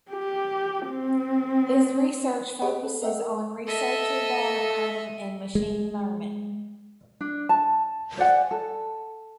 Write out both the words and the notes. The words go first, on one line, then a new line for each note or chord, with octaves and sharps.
His research focuses on researcher data mining and machine learning.
G4
C4
G4 G#4 C#5 D#5 F#5 B5
A4
A#4 D#5 E5 F#5 G5
A4 D#5 E5
G#3
D4
A5
C5 D5 F#5 G#5
A4